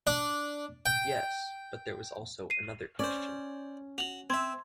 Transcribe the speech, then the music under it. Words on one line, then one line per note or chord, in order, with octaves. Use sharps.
Yes; but there was also another question.
D4
G5
C7 D#7
C#4 C5 D5
F#4 F7 F#7
C4 E5 C6 G#6